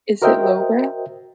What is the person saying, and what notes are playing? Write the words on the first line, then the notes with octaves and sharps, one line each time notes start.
Is it lowbrow?
F#4 A#4 C5 D#5 E5 G5